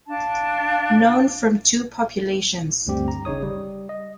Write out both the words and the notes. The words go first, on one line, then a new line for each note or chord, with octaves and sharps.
Known from two populations.
D4 F5 A5
D2 G2 G3 C4 G4
A#5
G1 C#3 D#4 C#5 D#6
G3
D#5